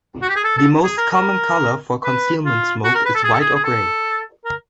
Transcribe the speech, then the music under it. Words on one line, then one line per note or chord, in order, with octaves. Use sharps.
The most common color for concealment smoke is white or grey.
F#4
G4
G#4
A4
A4
G#4
A#4
A#4
B4
F4
F#4
A#4
B4
A4
G#4
A4
G#4
G#4
A4
A#4